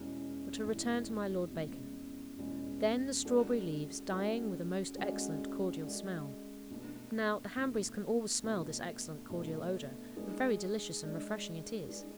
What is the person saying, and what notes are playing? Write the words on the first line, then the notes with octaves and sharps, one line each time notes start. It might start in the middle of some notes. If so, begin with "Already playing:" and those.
But to return to my Lord Bacon: 'Then the strawberry leaves, dying with a most excellent cordial smell.' Now the Hanburys can always smell this excellent cordial odour, and very delicious and refreshing it is.
Already playing: E2 B2 G#3 C#4 E4
E2 B2 G#3 C#4 E4
E2 B2 G#3 C#4 E4
E2 B2 G#3 C#4 E4
G#3 C#4 F#4 A4 D5
G#3 C#4 F#4 A4 D5
G#3 C#4 F#4 A4 D5
G#3 C#4 F#4 A4 D5
B2 A3 D4
B2 A3 D4
B2 A3 D4
B2 A3 D4
G#3 D4 G#4 D5
G#3 D4 G#4 D5
G#3 D4 G#4 D5